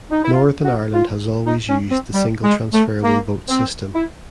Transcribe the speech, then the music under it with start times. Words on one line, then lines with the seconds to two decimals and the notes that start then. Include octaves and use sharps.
Northern Ireland has always used the single transferable vote system.
0.11 D#4
0.23 E4
0.33 F4
0.64 F#4
0.94 F4
1.46 D#4
1.69 C#4
1.91 C4
2.14 G3
2.43 G#3
2.73 A3
3.03 A#3
3.49 C4
3.94 E4